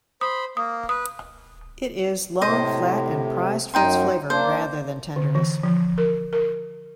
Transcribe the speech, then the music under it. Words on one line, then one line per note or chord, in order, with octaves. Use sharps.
It is long, flat, and prized for its flavor rather than tenderness.
C5 B5 D#6
A#3 D#6
B4 D#6
A2 C3 C5 D#5
F#2 D#4 G5 C6
A#3 D4 C5
D3
E3
F3
A#4
A#4